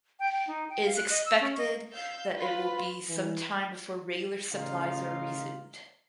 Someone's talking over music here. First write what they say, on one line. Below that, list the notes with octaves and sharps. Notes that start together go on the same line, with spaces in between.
It is expected that it will be some time before regular supplies are resumed.
G5
G5
D#4
G5
F5
F#6
D#5
E6
C#4
D#5
F5 E6 G6
F4 B4 B5
E3
A1 C#3 D#4 F4 F5